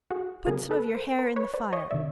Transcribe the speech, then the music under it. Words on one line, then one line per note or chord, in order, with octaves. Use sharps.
Put some of your hair in the fire.
F#4 G#4
C#3 F#3 B3 G#4 A#4
A4 B4
A#4 C5
A#4 C5
B4 C#5
C5 D5
C#5 D#5
C3 D#3 D5 E5